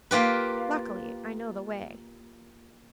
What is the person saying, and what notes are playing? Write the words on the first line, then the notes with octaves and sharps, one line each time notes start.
Luckily, I know the way.'
A#3 F4 G4 B4